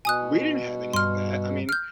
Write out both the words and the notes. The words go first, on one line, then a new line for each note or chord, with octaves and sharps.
We didn't have any of that. I mean,
B2 G#5 D#6 F#6
G2 C6 F6
F6 G6